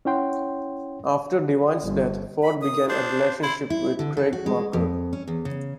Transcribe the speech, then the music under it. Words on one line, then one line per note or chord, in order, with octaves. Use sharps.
After Divine's death, Ford began a relationship with Craig Markle.
C#4 E4 C#5 F#5 G5 C6
G1
B5
D#6
D4 C5
E4 C6
E4
D3
A4
F#4
G#3
F2
C#4
E2
C#3